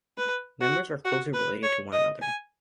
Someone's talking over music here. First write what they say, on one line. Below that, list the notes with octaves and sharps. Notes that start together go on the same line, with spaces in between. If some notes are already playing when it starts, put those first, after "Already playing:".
Members are closely related to one another.
B4
F#4
F#4
B4
C#5
D#5
G#5